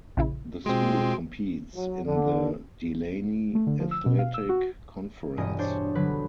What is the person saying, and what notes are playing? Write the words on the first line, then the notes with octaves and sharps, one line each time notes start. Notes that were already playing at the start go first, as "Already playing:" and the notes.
The school competes in the Delaney Athletic Conference.
A#1 C#3 E4
B2 G#3 C4 F4 G5
F#3
D3
A3
D3
F3
E6
B2
F5
E6
F#4
E1 G2 D#5 G#5
D4 C5 C#5
D3 F#3 B4